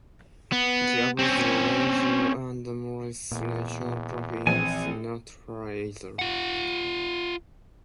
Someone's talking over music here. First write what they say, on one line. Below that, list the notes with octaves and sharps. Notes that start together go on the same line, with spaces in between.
The Abruzzo, Lazio and Molise National Park is not far either.
B3
C4 C#4
E2 A#2
A#1 E3 F3 C4 G#5
F4 F#5